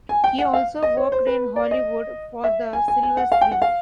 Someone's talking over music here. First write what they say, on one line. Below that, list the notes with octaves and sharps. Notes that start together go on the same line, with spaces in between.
He also worked in Hollywood for the silver screen.
G#5
G5
F#5
F5
D#5
C#5
C5
B4
D5
D#5
E5
G#5
G#5
G#5
F#5
F5
G5
F#5
F5